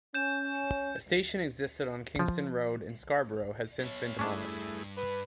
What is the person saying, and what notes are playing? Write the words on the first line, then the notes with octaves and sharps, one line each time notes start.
A station existed on Kingston Road in Scarborough has since been demolished.
C#4 G6 E7
F3
B3 C#5
G2 A3 C#4 D4 E4 G#4
B4